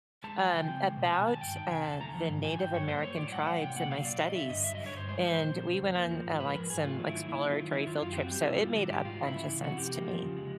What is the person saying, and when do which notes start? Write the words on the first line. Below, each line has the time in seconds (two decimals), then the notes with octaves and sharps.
um, about, uh, the Native American tribes and my studies, and we went on, uh, like, some exploratory field trips, so it made a bunch of sense to me.
0.24 G#3 A5
0.38 F3 G#5
0.53 C#3 G5
0.68 C4
0.83 G#3
0.97 B2
1.12 F#3 G#5
1.27 D#3 A5
1.41 G2 G5
1.56 D#3 G5
1.71 C3 G#5
1.86 E2 A5
2.00 A3 A#5
2.14 F3
2.29 G#2
2.44 F3 G#5
2.59 D3 G5
2.73 G2 C#5
2.88 A#3 C5
3.03 F#3 C#5
3.17 A2 D5
3.32 G3 F#5
3.47 E3 F#5
3.61 C3 G5
3.76 A#3 F#5
3.91 F#3 F5
4.05 A#2 D5
4.20 F#3 D#5
4.35 D3 E5
4.49 G2 D#5
4.64 F#3 E5
4.75 D3 D#5
4.86 C#5
4.93 G2 C5
5.08 G#3 C5
5.23 F3
5.30 C5
5.37 A#2
5.52 F3
5.67 C#3
5.82 E2
5.96 A#3
6.11 F3
6.25 G#2
6.40 G#3 B4
6.55 F3 A#4
6.70 G#2 G#4
6.84 A3 F4
6.99 F#3
7.06 E4
7.14 D#3
7.29 A#3 E4
7.43 F#3
7.50 F4
7.58 D#3
7.72 F#3 E4
7.87 D#3 F4
8.02 F#2 F4
8.12 G4
8.17 C4 F#4
8.31 G3 G4
8.46 B2 E4
8.60 G3 F4
8.75 D#3 F#4
8.89 G#2 G4
9.05 G#3 F4
9.19 E3
9.27 E4
9.34 C#3
9.48 E3
9.63 C3 F#4
9.78 F2 G4
9.92 A#3
10.08 F3
10.22 C#3
10.37 G#3